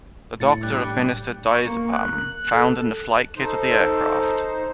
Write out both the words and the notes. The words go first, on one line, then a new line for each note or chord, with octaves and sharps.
A doctor administered diazepam found in the flight kit of the aircraft.
A2 A6 C#7
G3 D4 F#6
C#6
A#3
F#6
A4
D#4 A4 C5